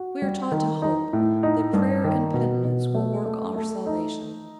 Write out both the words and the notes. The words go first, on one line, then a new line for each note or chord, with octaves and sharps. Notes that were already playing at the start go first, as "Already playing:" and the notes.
'We are taught to hope, that prayer and penitence will work our salvation.
Already playing: F#4
G3
D#3
D#4
A2
D#4
G2
D#3
B2
B2
A3
A3
A3
D#4